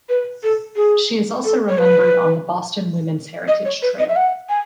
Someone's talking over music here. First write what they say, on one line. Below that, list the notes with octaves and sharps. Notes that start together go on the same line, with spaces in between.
She is also remembered on the Boston Women's Heritage Trail.
B4
A4
G#4
A4
C#5
B4
D#5
C#5
B4
D#5
E5
F#5
G#5